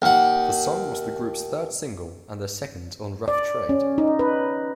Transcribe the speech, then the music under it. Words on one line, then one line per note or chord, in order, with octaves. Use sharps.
The song was the group's third single and their second on Rough Trade.
D#2 F#5
D5
C#4
D#4
B4